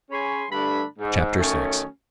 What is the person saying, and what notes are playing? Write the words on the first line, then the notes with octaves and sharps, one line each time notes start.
Chapter VI.
C#4 G#4 C#5 G#5 B5 C6
G2 D3 A3 D4 B5
G#2
D#3 F#3 A3 C#4